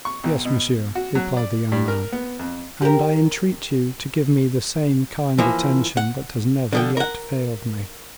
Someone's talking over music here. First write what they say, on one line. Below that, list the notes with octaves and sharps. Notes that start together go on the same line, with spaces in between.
"Yes, monsieur," replied the young man; "and I entreat you to give me the same kind attention that has never yet failed me."
C#6
B1
B2
F#4
F#3
D5
G2
A#4
B3
F2
G4 A#4
E3 F3 A#3
F#5
D3 F3 G5
A#4 F#5